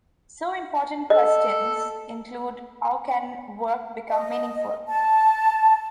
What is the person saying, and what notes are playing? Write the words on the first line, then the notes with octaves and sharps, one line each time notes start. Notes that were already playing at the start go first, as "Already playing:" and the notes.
So important questions include How can work become meaningful?
A4 D#5
D#5
A5